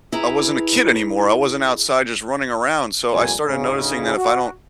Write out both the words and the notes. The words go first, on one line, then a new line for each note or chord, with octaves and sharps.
I wasn't a kid anymore, I wasn't outside just running around, so I started noticing that if I don't
E4 G#4 B4 A#5
C2 F2 A#2 G3 A3 G#5
D2 G#2 C#3
F#4